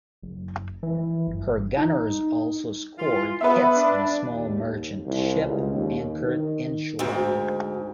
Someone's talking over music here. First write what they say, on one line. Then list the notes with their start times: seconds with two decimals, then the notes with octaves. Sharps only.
Her gunners also scored hits on a small merchant ship anchored inshore.
0.22 F#1
0.83 E3
1.27 G1
1.77 D#4
2.98 E3 F4
3.41 B3 B4 E5
3.75 D4
4.30 D#2
5.06 C2
5.44 C#2
5.75 D#2
6.21 D#3
6.99 D2 G#2